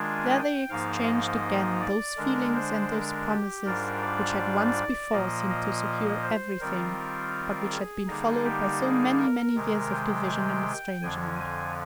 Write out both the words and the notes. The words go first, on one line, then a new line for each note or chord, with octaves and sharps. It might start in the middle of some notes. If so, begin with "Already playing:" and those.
There they exchanged again those feelings and those promises which had once before seemed to secure everything, but which had been followed by so many, many years of division and estrangement.
Already playing: D#3 G#3 D4 F4 G#5
G5
G#2 F3 A#3 D#4 F5
D#5
D5
D3 G#3 D4 A#4
C5
A#4
G4
G#2 G3 D4 F4 A#4
D5
A#2 F3 A#3 D#5
D#5
C5
D#3 G3 C4 F4 A#4
G#4
D3 G3 A#3 D#4
G4
G#4
A#4
C3 D#3 G#3
G5
F2 D3 F3 G#5
G#5